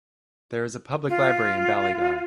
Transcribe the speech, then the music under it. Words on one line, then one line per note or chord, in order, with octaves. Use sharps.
There is a public library in Ballygar.
F4